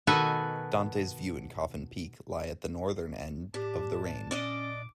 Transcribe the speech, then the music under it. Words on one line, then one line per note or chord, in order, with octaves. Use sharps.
Dante's View and Coffin Peak lie at the northern end of the range.
B2 D#3 F#4 A4 B4 G#5
A2 D4 G4 A5
A#2 C#4 D4 D5 D#5 D6